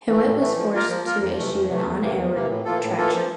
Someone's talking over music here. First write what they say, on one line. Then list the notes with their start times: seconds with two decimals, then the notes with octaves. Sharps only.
Hewitt was forced to issue an on-air retraction.
0.08 E3 A3
0.25 A2
0.40 E3 A3
0.57 F3
0.73 A#3 F4 A#4
0.89 F3
1.05 A#3 F4 A#4
1.21 F2
1.37 C3 E3 A3
1.53 F2
1.69 C3 E3 A3
1.86 E2
2.01 C3 E3 A#3
2.17 E2
2.34 C3 E3 A#3
2.49 A2
2.65 E3 A#3 F4 A4
2.81 A2
2.97 E3 A#3 F4 A4
3.14 F3